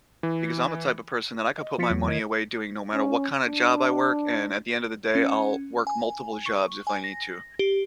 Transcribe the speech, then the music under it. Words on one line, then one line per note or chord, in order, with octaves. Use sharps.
because I'm the type of person that I could put my money away doing no matter what kinda job I work, and at the end of the day I'll work multiple jobs if I need to.
E3
D#5
F3 F4 A6 B6 C#7
E2 F#3
D#3 A#4 D#5 G#6
C#4
D4
C#4
G#5
C#6
G#5
A#6
G4